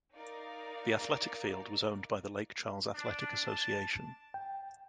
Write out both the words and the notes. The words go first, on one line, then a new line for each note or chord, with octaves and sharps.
The Athletic Field was owned by the Lake Charles Athletic Association.
D#4 A#4 D5 F5
D4
A5
G5